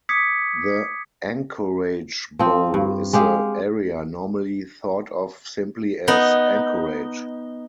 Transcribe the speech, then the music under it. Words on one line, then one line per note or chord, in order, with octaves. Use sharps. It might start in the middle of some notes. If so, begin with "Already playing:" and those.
The "Anchorage Bowl" is the area normally thought of simply as Anchorage.
D6 D#6 G#6 B6 C#7
F3 C4
G2
G#3 G4 F5
B3 D#4